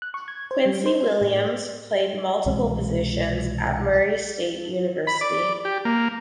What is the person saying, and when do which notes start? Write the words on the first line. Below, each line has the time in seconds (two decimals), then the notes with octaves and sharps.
Quincy Williams played multiple positions at Murray State University.
0.02 F#6
0.14 C#6
0.28 G#6
0.51 C5
0.66 G3
0.86 C5
1.21 A2
2.46 C2 B2 E3 G#3
5.07 B5
5.21 D5
5.65 G4
5.85 A#3